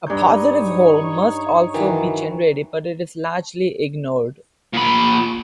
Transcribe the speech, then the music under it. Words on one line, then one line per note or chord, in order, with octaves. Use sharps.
A positive hole must also be generated but it is largely ignored.
G2 D#4 C#5 G6
D#3 E3 F#3
A#2 B5